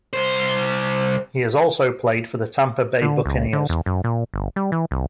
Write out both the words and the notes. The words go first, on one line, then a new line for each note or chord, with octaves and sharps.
He has also played for the Tampa Bay Buccaneers.
C2 C5
D3
C#2
D3
E2
F#2
A#2
G1
G3
E3
C2